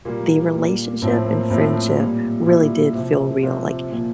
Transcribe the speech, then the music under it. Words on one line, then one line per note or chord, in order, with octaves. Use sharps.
the relationship and friendship really did feel real. Like,
A#2 G3 A#3
A#2 G3
A2 F3 C4
C4
A#3
A2 F3 C4
A#2 G3
A#2 G3 E4
C3 F3
C3 F3 F4
A#2 F3